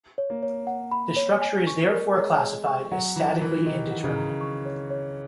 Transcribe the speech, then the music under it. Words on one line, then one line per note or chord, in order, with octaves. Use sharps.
The structure is therefore classified as "statically indeterminate".
C#5
A#3
C#5
F#5
B5
C#5
G#5
C#6
A#4
G#3 C#5
G#5
C#6
F#3 F#5
E3 A#5
E3 A#4
D#3 D#5
F#5
C#3
A#5
C#6
C#5
C#5